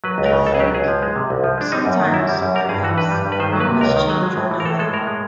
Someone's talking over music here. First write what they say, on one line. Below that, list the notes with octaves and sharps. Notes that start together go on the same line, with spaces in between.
I think... sometimes, perhaps, one must change or die.
F#3 B4
C#2
A#4
C#3
C#2 A4
G#4
F#3 G4
C#2 G#4
F3
G#3
C3
C2
F3
G#3 D4
G3 D#4
F#2
D#3
F#2 E4
G3
F#2
G3 A#4
G2 G#4
E3 F#4
G2 B4
G3
G2
B4
D#3 C5
F#3
B4
C3
C#2 A#4
D#3
F#3
G#3
A2
E3
A#4
A2 A4
G#3 A4
A2 A#4
G#3